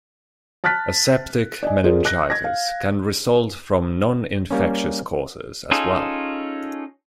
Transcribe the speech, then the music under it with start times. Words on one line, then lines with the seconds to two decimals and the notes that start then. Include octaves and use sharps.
Aseptic meningitis can result from non-infectious causes as well.
0.64 A5 F6 F#6 A6 B6
1.63 D5 D#5 G#5
1.84 F4 G#4 A#4 C5 D5
2.05 F#6 A#6
2.30 G#6 A#6
2.44 F5
4.51 G3 A#3 C#4
5.71 C#4 D#4 F4 G#4 A4